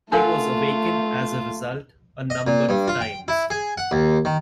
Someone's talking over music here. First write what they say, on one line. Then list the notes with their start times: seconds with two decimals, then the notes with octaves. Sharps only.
He was awakened as a result a number of times.
0.12 D3 A3 D4 F4 F#4 A4 A#4 F5
2.30 D#5
2.47 A#2
2.69 G2
2.88 F4
3.01 G5
3.28 E4
3.50 G#4
3.78 F#5
3.91 D#2
4.25 D#3